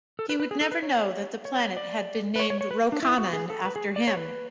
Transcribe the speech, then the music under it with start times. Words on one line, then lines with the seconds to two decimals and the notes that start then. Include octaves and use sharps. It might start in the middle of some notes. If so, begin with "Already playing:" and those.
He would never know that the planet had been named Rokanan after him.
0.19 A4
0.29 B4
0.40 B4
0.51 G#4
0.61 A4
0.72 B4
0.83 C#5
1.45 C#5
1.77 D5
2.36 B4
2.40 C#5
2.50 C#5
2.61 C#5
2.71 B4
2.92 D4
3.03 E4
3.18 F#4
3.33 G#4
3.50 A4
3.65 B4
3.76 G#4
3.96 D5
4.08 C#5
4.17 B4